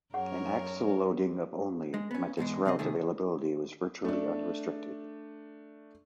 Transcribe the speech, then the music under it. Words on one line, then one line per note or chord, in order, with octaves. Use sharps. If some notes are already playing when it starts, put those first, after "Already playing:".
An axle-loading of only meant its route availability was virtually unrestricted.
F#2 G#4 A#4 C#5 F#5 C#6
G#3
B3 C#4
E2 G#2 B2 G#3
F2 C3 C4 D#5
C3 D#3 A3 G#4
A3 D4